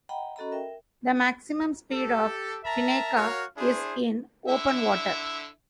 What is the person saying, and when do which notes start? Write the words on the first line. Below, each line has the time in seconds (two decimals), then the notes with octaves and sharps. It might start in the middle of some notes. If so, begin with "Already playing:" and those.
The maximum speed of "Fennica" is in open water.
0.09 D#5 F#5 G5 A#5 B5
0.36 C#4 F#4 A4 D#5 A#5 B5
0.52 A#4 E5 G5
1.91 G4 A4
2.64 A#4 E5 A5 A#5
3.15 F#4 A#4 C#5 F5
3.57 D4 E4 G#4 C5
4.48 D3 E4 E5